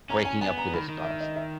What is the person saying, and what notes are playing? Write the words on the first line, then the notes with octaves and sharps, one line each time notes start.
breaking up with a spouse.
C#4 A#5
G#5
B3 G#5
A#5
D#3 B5
D#3
E5
D#5
E5